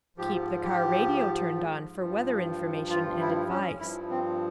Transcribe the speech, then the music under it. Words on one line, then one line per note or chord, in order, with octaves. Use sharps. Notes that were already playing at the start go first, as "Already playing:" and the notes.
Keep the car radio turned on for weather information and advice.
G#2 F3 G4
G4
G2 F3
F4
E4
C#4
G2 F3 E4
C4